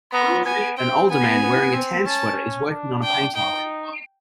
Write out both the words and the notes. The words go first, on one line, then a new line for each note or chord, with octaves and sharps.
An older man wearing a tan sweater is working on a painting.
B3 A#5
B3 G#5
C4 G5
B3 G#5
B3
C4
C#4 A5
D4
G5
D#4 G5